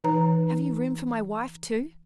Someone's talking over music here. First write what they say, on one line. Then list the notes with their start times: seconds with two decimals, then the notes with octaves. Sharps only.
Have you room for my wife, too?'
0.04 E3 D#4 B4 A#5